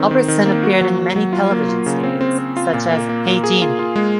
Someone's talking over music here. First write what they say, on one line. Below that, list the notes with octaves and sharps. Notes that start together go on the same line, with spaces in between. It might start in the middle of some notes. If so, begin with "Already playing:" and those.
Albertson appeared in many television series, such as Hey, Jeannie!
Already playing: D#3 C4
D#3
D#3
A#3
F#4
F#3
F#3
F#3
F4
A#3
F4
C#3
C4
C4
C4
F4
A#2
A#3
A#3
A#3
G#4
F4
F4
G#3